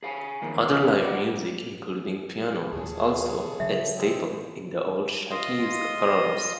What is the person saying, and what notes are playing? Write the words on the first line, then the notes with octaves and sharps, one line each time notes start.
Other live music, including piano, was also a staple in the old Shakey's parlors.
G#4 F5 G#5
D#3 F3 A#3
F#4 C5 D5
D#2 A#2 G#4 C#5 A5
C#3 F#3 E5
G#3 C4
F4 D#5 C6 D#6